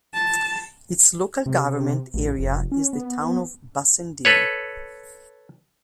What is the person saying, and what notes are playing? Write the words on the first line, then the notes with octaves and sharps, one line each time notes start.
Its local government area is the Town of Bassendean.
A5
C3
A1
F1
C#4
B3
A4 B4 C#5